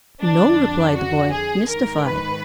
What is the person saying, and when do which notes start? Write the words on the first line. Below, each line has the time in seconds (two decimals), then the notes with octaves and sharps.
"No," replied the boy, mystified.
0.21 F2 D3 D4
0.95 F#4
1.32 G#4
1.69 G#2 D#3 A#4
2.05 B4